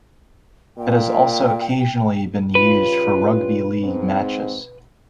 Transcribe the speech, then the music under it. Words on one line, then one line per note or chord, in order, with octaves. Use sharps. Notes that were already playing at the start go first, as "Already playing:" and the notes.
It has also occasionally been used for rugby league matches.
A#2 G5
C#3 G3 F4 B4
G#2 C4